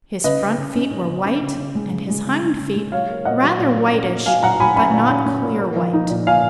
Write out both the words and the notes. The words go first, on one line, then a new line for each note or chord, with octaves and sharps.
His front feet were white, and his hind feet rather whitish, but not clear white.
C#3 B4 D#5
C#3
C#3
C#4
C#4
C#3
C#4
C#3
C#3
G#3
C#3
G#3
C#3
C#3
C#3
G#3
F#3 C#5 F5
A#3
A#2 D#5 F#5
F#3
A#2
A#2
C#4
F#3
F#3 F5 G#5
F#3 F#5 A#5
F#3 G#5 B5
C#4 G#5 B5
A#2
C#4
C#4
A#2
A#3
F3
D#4
A#2
A#2 F5 G#5